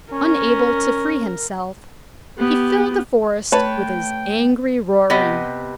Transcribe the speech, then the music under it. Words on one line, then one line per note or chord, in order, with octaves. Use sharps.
Unable to free himself, he filled the forest with his angry roaring.
C#4 A#4
B3 G4
A3 B4 C#5 G5 A5
C3 B3 G4 D#5